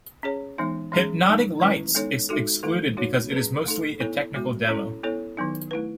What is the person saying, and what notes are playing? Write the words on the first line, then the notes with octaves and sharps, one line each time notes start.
"Hypnotic Lights" is excluded because it is mostly a technical demo.
C#4 G#4 C#5
E3 G#3 B3 D#4
E3 G#3 C#4 G#4
F#3 A3 D#4
D#3 G#3 C#4 E4 B4
G#3 B3 D#4 A4 C#5
G#3 D#4 F#4 A4
D#3 A3 E4 A4
A3 D#4 F#4 C#5
C#4 G#4 B4
A3 D#4 A4
B3 E4 A4 C#5
G#3 B3 F#4
C#4 E4 A4 C#5
B3 E4 A4 C#5
D#3 F#3 B3 D#4
A3 E4 B4